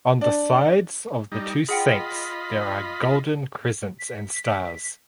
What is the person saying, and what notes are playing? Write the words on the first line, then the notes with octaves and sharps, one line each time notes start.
On the sides of the two saints there are golden crescents and stars.
D4
G3 D#4
F4 G#4 D#5 F#5 G5 B5
B6